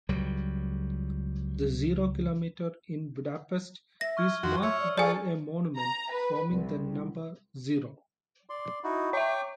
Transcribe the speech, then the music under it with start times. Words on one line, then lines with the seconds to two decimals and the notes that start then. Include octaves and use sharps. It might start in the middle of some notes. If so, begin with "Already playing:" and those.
The Zero Kilometre in Budapest is marked by a monument, forming the number "zero".
0.09 C#2 F#3 G3
4.01 E5 A#6
4.17 C#6 F6 G#6
4.43 F2 F#4 C6
4.63 C#5 E5 E6 G#6
4.80 D5
4.98 G#4 A4 D5 G#5 C#6
5.77 A#5
6.12 B4
6.50 C2
8.50 D5 C6
8.84 D#4 E4 F#4
9.13 C#5 E5 G5 C#6 D6